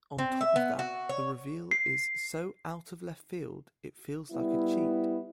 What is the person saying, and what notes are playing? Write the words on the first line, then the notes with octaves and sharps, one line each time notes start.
On top of that, the reveal is so out-of-left-field, it feels like a cheat.
C4
E5
B3
F#4
C#5
C7
G3 B3 E4